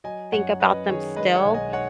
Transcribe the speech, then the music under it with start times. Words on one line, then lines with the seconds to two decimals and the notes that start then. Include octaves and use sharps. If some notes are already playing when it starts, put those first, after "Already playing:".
think about them still,
0.04 F#3 D#5 G#5
0.32 F#2 C#5 F#5
0.60 C#4 B4 D#5
0.88 D#3 G#4 C#5
1.16 G#3 B4 D#5
1.35 C#5 F#5
1.45 B1
1.54 D#5 G#5
1.73 C#5 F#5